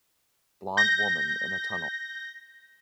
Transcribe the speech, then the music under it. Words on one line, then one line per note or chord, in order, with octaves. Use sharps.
Blond woman in a tunnel.
G6 A#6